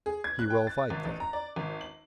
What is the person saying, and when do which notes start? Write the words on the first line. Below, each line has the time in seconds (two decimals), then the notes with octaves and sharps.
"He will fight, then?"
0.06 G#4
0.24 G#6
0.39 F#6
0.50 G5
0.67 A6
0.90 G#1
1.05 A1
1.20 A#5
1.33 D5
1.56 G#1
1.81 F#7